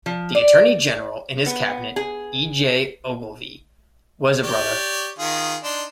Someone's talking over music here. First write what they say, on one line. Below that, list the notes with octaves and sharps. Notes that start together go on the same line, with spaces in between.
The attorney-general in his cabinet, E. J. Ogilvie, was a brother.
F3
D5
B3
G#4
G4 C#5 D5
D#3 F4 G#4
D4 D#4 C6